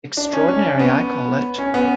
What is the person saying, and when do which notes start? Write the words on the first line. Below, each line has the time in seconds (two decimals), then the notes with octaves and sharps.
Extraordinary, I call it.
0.17 D4
0.33 C#4
0.48 C#4
0.79 B3
1.58 C#4
1.74 B3